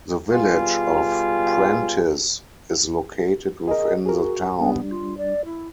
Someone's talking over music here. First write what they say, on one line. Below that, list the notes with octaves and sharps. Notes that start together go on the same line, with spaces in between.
The Village of Prentice is located within the town.
B2 G3 F4 G#4
G#4 A#4 D#5
F#4 G#4 A#4
G3 B3 D4
F4
D5
E4